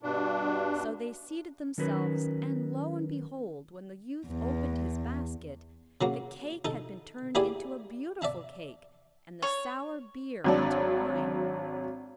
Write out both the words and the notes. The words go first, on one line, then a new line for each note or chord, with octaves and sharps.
So they seated themselves, and, lo and behold, when the youth opened his basket, the cake had been turned into a beautiful cake, and the sour beer into wine.
G2 B2 D4
D#3 F#3 C#4 A#4 B4
E2
C#3 F#3 A#3
D#4 A4
A#3 E4 G4 G#4 D5 G#5
D5 E5 A5
C#5
G#1 F#3 D4